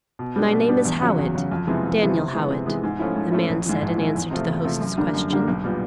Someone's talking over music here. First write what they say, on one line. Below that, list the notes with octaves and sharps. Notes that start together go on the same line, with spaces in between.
"My name is Howitt, Daniel Howitt," the man said in answer to the host's question.
B2
G3 B3 D4
B2
G3 B3 D4
E2
C#3 F#3
E2
C#3 F#3
F2
C3 E3 G#3 B3
F2
C3 E3 G#3 B3
C3
E3 G#3 B3
C3
E3 G#3 B3
G#2
F3 A3 C#4 E4
G#2
F3 A3 C#4 E4
A#1
G#2 E3
A#1
G#2 E3
E2
C3 F3 A3
E2
C3 F3 A3
F#2
D3 G3 A#3 D4
F#2
D3 G3 A#3 D4
B1
A#2 G3 B3